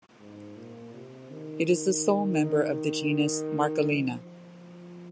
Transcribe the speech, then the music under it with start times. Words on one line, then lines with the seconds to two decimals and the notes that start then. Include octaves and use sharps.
It is the sole member of the genus "Marchalina".
0.20 G#2
0.56 A#2
0.93 C3
1.31 D#3
2.42 D#3
3.90 F3